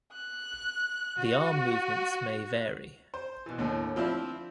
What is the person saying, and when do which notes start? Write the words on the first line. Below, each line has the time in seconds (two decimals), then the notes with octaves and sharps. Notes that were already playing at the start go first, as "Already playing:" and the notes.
The arm movements may vary.
0.13 F#6
1.18 F#4
3.14 C5
3.46 B2 E3
3.58 D#2 A2 D3
3.96 F3 C4 D4 E4